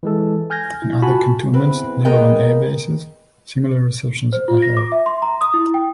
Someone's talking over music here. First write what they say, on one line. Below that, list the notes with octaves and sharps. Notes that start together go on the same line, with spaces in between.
In other Cantonments, naval and air bases similar receptions are held.
E3 G#3 A4
G#5 F6 G6 G#6 A#6
E4
F4 F#4 G#5 A5 B5
E2 C4 B4
A#2 G#3 B3 A#4 D#5 G5
C5
F4
A#6
D6
E5
C6
A#5
D#6
E4
G5